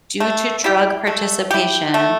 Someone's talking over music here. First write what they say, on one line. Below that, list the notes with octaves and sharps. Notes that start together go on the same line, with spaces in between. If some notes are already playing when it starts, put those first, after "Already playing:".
due to drug participation.
A3
E4 G4
A3
E4 G4
A3